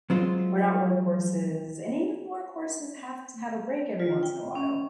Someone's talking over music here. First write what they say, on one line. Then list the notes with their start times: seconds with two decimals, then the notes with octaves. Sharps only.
We're not workhorses, and even workhorses have to have a break every once in a while.
0.10 F#3 G#3 C4 F4 C5
4.00 F4
4.23 G5
4.55 C#4